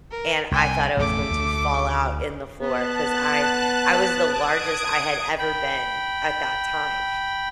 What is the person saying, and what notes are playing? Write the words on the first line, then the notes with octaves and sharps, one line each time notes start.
and I thought I was going to fall out in the floor 'cause I I was the largest I had ever been, at that time,
A#4
C2 G5 G#5
A1 F2 B2 A3 D6
D2
B3 A5 F#6
D#6 G#6 D7
G5 B5